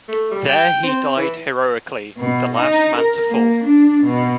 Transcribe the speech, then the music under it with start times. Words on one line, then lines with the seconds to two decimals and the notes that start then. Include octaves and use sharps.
There he died heroically, the last man to fall.
0.08 A3
0.31 G3
0.48 G5
0.83 C4
1.16 E3
2.18 B2
2.56 D#4
2.96 A#4
3.30 A#3
3.64 D4
4.04 B2